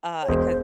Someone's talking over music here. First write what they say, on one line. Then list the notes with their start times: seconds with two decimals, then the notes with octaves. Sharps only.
uh, 'cause
0.22 C#5
0.28 E1 C5